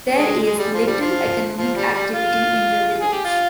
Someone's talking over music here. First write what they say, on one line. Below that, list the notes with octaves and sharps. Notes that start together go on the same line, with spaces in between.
There is little economic activity in the village.
G#3
G#3
G3
F3
G3
F3
F3
G3
G3
F4
G#4
G4
F4